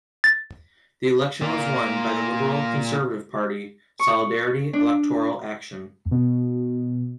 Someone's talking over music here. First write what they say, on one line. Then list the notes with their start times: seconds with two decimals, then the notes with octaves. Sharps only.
The election was won by the liberal conservative party Solidarity Electoral Action.
0.24 A6
1.42 A#2 A#3
3.99 C#6
4.73 D4
6.11 B2